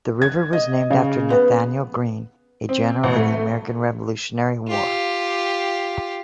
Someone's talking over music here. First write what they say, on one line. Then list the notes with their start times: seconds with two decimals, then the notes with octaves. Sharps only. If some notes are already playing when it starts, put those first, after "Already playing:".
The river was named after Nathanael Greene, a general of the American Revolutionary War.
0.22 G#6
0.53 D#5
0.90 C#3
1.30 B3
2.69 C4
3.04 A1
3.16 A3
4.67 F4 G4